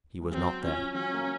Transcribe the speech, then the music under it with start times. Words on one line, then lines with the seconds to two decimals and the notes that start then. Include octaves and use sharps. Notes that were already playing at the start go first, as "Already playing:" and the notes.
He was not there.
0.21 G#3
0.31 F#3 C4
0.62 F3 C#4
0.94 F#3 C#4
1.14 A#3